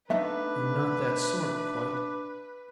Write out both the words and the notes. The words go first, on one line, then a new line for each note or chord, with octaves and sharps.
"I am not that sort--quite."
A3 B3 D4 D#4 B4 E5